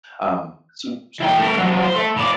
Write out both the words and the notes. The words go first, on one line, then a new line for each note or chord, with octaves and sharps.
Um, so so
E3 G5
A3 A#4
F3 F#3
C5
A3 A4
A2 D5